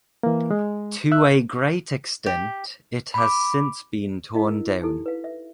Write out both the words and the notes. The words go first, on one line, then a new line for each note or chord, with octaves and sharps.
To a great extent, it has since been torn down.
E3 A#3
G#3
E5 E6 F#6
G4
B5 D6
E4 D#5 F5
A#4
D#4 E4 G4 A4
B4 F5
E5